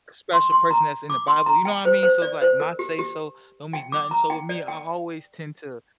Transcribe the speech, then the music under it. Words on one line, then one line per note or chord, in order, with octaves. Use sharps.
special person that's in The Bible. You know what I mean? So it's like my say so don't mean nothing. So with me, I always tend to
C6
C6
A#5
D6
C6
A#5
G5
C5
C5
D5
C5
A#4
G4
G4
G5
D6
A#5
G5
D5
G5